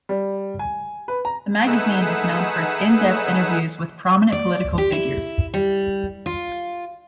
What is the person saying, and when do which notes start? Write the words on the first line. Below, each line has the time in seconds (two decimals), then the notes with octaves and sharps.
The magazine is known for its in-depth interviews with prominent political figures.
0.09 G3
0.59 G#5
1.08 B4
1.25 A#5
1.66 A3 D#4 G#4 B4 F#5 E6
4.32 D5
4.78 G4
4.92 E4
5.54 G3
6.26 F4